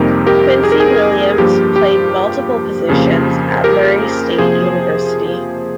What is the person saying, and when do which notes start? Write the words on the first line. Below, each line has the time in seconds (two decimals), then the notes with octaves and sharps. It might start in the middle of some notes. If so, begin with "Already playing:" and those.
Quincy Williams played multiple positions at Murray State University.
Already playing: F2 C3 G3 A#3 D#4 G4 A#4
0.27 G4 A#4
0.64 G#4
0.72 A#4
0.80 G#4
1.38 G2 F3 A#3 G4
1.76 G4
2.89 F2 C#3 F3 A#3
3.64 G4 A#4
4.38 C3 F3 A#3 G#4 C5